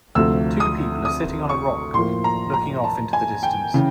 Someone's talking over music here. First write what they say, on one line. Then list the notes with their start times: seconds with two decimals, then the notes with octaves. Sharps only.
Two people are sitting on a rock looking off into the distance.
0.15 D2 C3 F3 A3 E6
0.60 D#6
1.05 D#6
1.49 C#6
1.94 A2 F3 A#3 C6
2.24 A#5
2.54 A#5
2.84 A5
3.13 G#5
3.43 G5
3.74 C#3 E3